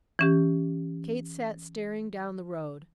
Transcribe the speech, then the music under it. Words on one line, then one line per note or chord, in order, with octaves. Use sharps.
Kate sat staring down the road.
E3 C#4 G4